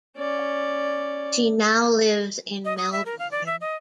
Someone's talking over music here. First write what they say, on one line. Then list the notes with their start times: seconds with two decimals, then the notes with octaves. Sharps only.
She now lives in Melbourne.
0.17 C#4 D5
2.65 D#5
2.78 D#6
2.93 E5
3.06 A#4
3.19 F5
3.31 D5
3.46 E5
3.61 D#5